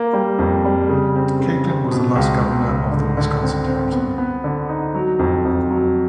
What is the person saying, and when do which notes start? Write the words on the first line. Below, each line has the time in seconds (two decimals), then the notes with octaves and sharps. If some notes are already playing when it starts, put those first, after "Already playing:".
Catlin was the last Governor of the Wisconsin Territory.
Already playing: A#3
0.13 G3
0.39 F2
0.65 G3
0.89 C#3
1.16 C4
1.40 C#3
1.66 C4
1.91 B2
2.16 C#2
2.41 C#2
2.67 C#2
2.91 D3
3.17 D3
3.42 C4
3.67 C4
3.92 B3
4.18 B3
4.44 D3
4.69 D#4
4.94 F#3
5.19 F2
5.45 F2
5.71 F#3